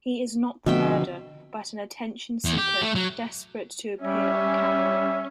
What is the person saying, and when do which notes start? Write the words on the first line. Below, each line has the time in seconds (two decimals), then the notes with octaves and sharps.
He is not the murderer, but an attention seeker desperate to appear on camera.
0.66 B2 D3 F3 C4 E5 G5
2.45 E2
2.58 G4
2.81 A3
2.95 F#3
4.02 G3 C#4 E5